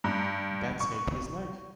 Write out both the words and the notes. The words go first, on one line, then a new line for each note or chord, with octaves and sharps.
That saved his life.
G2
C#6